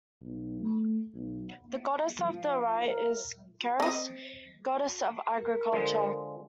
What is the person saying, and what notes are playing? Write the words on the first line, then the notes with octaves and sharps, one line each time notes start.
The goddess on the right is Ceres, goddess of agriculture.
B1
A3
B1
F3
F5
A#4
C4 D#5
A#4
D3 F3 G#3